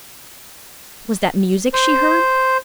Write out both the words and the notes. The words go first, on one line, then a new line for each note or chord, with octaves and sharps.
Was that music she heard?
C5